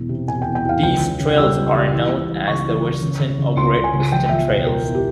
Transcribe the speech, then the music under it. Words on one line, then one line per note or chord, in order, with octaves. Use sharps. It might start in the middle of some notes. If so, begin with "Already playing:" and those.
These trails are known as the Western or Great Western trails.
Already playing: E1 E2
C3
E1 G#5
E2 G5
G5
E2 F5
C#2 G5
C#3
C#3
G3 E6
C#2
G3
E3
C#2
E3
C#3 C#6
E3
E3
C#3
C#3
C#3
C#2 C6
C#2
G#5
C#2
F3 G5
F3 E5
E1
E1 A#4
E2
G4